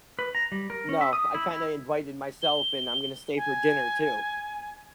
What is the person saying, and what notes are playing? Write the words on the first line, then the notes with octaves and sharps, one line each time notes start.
No. I kinda invited myself, and I'm gonna stay for dinner too.
B4
A#5
G3
A#4
C#4
E5
D#6
E4
E4
G7
G#5